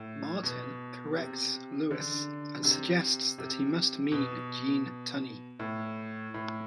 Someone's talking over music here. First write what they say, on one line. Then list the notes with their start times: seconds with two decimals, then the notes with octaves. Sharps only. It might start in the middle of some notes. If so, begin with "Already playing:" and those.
Martin corrects Lewis and suggests that he must mean Gene Tunney.
Already playing: A2
0.43 B2
1.17 C3
1.91 D3
2.64 C3
3.38 C3
4.12 B2
5.60 A2
6.34 A2